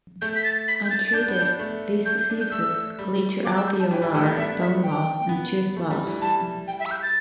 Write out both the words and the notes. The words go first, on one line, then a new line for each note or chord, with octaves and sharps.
Untreated, these diseases lead to alveolar bone loss and tooth loss.
A3 G6
B6
A6
B6
G6
A6
A6
D4 G6
B3
D4
A3
A3 G6
D4
G6
A3 E6
G3
D6
E6
G6
A5
E3 G5
G3
A3 G5
B3
D4 E5
E5
G5
B3
A3
G3
E3
G3 A5
G5
E5
E6
G6
A6